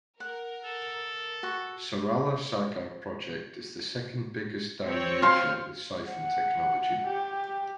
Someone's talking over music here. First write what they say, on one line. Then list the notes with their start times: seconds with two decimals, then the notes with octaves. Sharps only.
Sarala Sagar Project is the second biggest dam in Asia with siphon technology.
0.20 A#4 F#5
0.65 A4
1.43 F#4 C#6
4.86 C4 C#5
5.22 F5 C6
6.09 F#5
7.07 G4